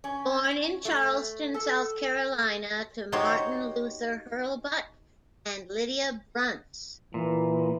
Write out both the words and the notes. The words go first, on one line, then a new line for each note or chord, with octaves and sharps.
Born in Charleston, South Carolina to Martin Luther Hurlbut and Lydia Bunce.
C#4
A3
A4
D#4 F#4 G4 C5 C#5
A#2 E3